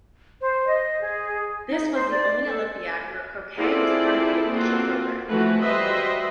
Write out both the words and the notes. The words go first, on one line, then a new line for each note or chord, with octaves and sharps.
This was the only Olympiad where croquet was part of the official programme.
C5
D#5
G#4
D#4
C5
D5
A4
C4 E4 F4 G#4 A4 D5
A#3 C4 F4 F#4 A4
E3 F3 A3 F#4 B4
G3 F#4 B4 C5 D#5 E5